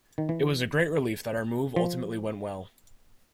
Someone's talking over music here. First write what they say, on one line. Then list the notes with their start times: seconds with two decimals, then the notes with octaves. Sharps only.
It was a great relief that our move ultimately went well.
0.18 D#3
0.29 E3
1.76 F3